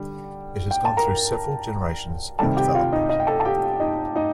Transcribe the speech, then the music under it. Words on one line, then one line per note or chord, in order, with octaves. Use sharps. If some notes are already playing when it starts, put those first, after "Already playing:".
It has gone through several generations of development.
Already playing: D3 G3
G5
A5
A#4 A#5
C3 D#3 G3 A4 A5
G4 G5
F4 F5
D#4 D#5
D#4 D#5
G5
A4 A5
A5
G4 G5
D#4 D#5
D#4 D#5